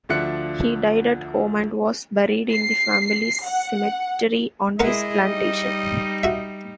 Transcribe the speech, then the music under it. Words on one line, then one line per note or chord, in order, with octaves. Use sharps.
He died at home and was buried in the family cemetery on his plantation.
D2 F3 D4 E5 F#6 C#7
C7
F#5
G#3 E4 G#4 A#4 B4 D#5 F#5
G3 D#4
F#4 E5